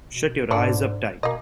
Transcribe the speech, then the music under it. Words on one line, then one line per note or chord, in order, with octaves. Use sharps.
Shut your eyes up tight.
B2
G#2 D3 D4
B2 A#3 D#5